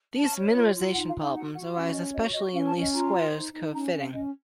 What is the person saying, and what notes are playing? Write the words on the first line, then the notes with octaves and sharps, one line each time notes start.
These minimization problems arise especially in least squares curve fitting.
C#4 A5
C#5
F4
F4
D#4 F#5
F5
D#4
F5
F#4 F#5
F#4 F#5
C#4 F#5
C#5 D#5
F#4 D#5
F#4 D#5
C#4 F5
A5
C#4
D#5
F4 A#5
C5
D#4
D#4
C#4 A#5
C#4
F5
C#4 D#5